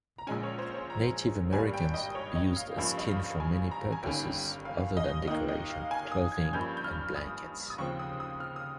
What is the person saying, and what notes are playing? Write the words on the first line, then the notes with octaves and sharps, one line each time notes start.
Native Americans used skin for many purposes other than decoration, clothing and blankets.
A#5
A#1 A#2 G#3 C#4 G#5
C#5
C5
C#5
A#5
G#1 G2 G3 A#3 G#5
G5
D#5
C#5
D#5
F5
G2 F3 A#3 C#4 F5
D#5
F5
G#5
A#5
G#5
G1 G2 D#3 A#3 C#4 G5
F5
D#5
D#2 D#3 A#3 D#5
D#5
F5
G#5
D#6
G#6
G2 F3 A#3 C#4 G6
G6
F6
D#6
D#6
D#2 C#3 F3 C4 C#6
D#6
D#6
F6
D#6